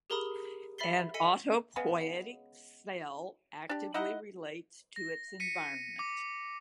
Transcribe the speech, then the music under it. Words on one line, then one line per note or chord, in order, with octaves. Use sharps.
An autopoietic cell actively relates to its environment.
G4 G#4 A#4 A#5 B5 D#6
E5 B5 A6 B6 C7 G7
A4 D#5 G#5 B6 C#7 D#7
C#3 G#3 B3
D4 G4
D#4 E4 D#5 F#5
A#6
B6 C#7 D#7
D6